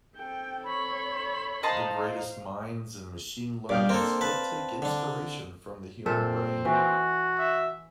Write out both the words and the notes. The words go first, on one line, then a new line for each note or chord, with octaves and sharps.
The greatest minds in machine learning still take inspiration from the human brain.
C4 A4 G5
C#5 B5
D#4 C5 D#5 F5 A5 C6
G2 D5 F5 G5
A#3 C4 A4
B4 A5
D3 D4
A#2 C4 A4 E5
E3 F#4
E5